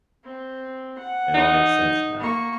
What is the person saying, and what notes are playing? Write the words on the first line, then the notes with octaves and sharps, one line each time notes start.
It all makes sense now.
C4
F#5
D#4
A#3 C#6